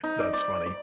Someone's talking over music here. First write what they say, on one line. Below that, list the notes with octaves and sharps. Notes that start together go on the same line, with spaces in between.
That's funny.
D#4
D5
D5
D5